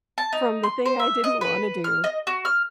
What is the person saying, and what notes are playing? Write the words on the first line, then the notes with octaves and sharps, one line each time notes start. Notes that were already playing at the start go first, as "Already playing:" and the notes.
from the thing I didn't wanna do."
A5
D#4
C6
C5
E5
D#5
B4
F6
D#5
F#4
F6